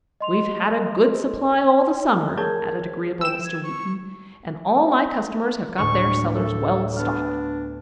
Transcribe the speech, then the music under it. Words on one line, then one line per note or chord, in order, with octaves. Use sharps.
"But we've had a good supply all the summer," added agreeable Mr. Wootten, "and all my customers have got their cellars well stocked."
D#5 C6 F7
G#4 A#4 C#5 A5 G6 G#6
G5 E6 E7
G#6
C#6
D2 A2 C#6
A4
B3 D4 F6